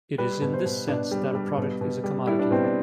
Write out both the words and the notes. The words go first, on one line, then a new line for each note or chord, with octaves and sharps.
It is in this sense that a product is a commodity.
G3 B4
B2
C5
B2
B2 D4
G3
G3
B2
B2
G3
G3 E4
D4
B2 C4
D4